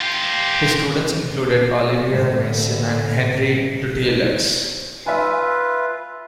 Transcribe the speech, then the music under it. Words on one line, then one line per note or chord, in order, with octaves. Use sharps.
His students included Olivier Messiaen and Henri Dutilleux.
F4 G4
A2 D3
F4 B4 E5 G#5